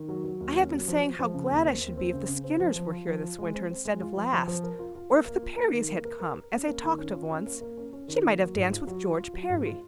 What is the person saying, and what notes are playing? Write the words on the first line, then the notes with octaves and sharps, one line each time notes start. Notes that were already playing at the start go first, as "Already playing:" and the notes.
I have been saying how glad I should be if the Skinners were here this winter instead of last; or if the Parrys had come, as they talked of once, she might have danced with George Parry.
Already playing: D#3
F#3
F#3
D#2
C#4
F#3
F3
F3
F3
C#3
D#2
C4
D#2
C4
C#3
C#3
C4
F3
F3
F4
F3
F4
G#3
C4
C4
G#3
F4
F3
F3
F3
A#4
F4
F4
A#3
A#3
F4
A#3
D#3
A#3
A#4
A#4
A#4
C#4
A#3
D#3
C#4
F4
C#4
A#3
A#3
C#4
C#4
D#3
A#3
F#3
G#2
F4
F#3
F4
F4
F#3
G#2
F4